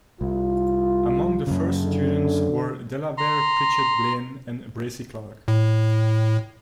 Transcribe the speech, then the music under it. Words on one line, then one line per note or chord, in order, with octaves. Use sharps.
Among the first students were Delabere Pritchett Blaine and Bracy Clark.
C2 F4
F#2 C#3
D3
A#5 C6
A2